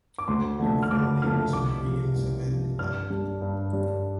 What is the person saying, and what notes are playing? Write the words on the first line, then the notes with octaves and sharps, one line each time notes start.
Her full name is Marie Elizabeth Lubbock.
D6
D2 C6
D3 F3 A3
F6
D2 D6
D3 F3 A3 F6
C2 D6
C3 F3
C2
C3 F3
G2 F6
G3 D4
G2
G3 D4